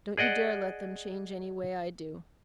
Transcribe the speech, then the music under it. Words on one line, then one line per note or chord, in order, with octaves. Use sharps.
Don't you dare let them change any way I do.
G#4 D5 D#5 F#5